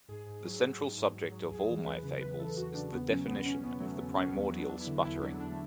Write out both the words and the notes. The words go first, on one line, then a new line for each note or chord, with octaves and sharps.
The central subject of all my fables is the definition of the primordial sputtering.
G#2 G#4
G#2
F#3
F#3
G#2
G#2
F#3
F#3
E2 G#4
E3
E2 B4
C#3
E2 B4
E3 A4
E2 F#4
C#3 D4
E2 B3
F#3 C#4
E2 B3
B2 C#4
E2 B3
F#3 A3
E2 B3
B2 C#4
E2 B3
F#3
D4
E2
E4
D3
E2 E4
F#3 D4
E2 D4
A3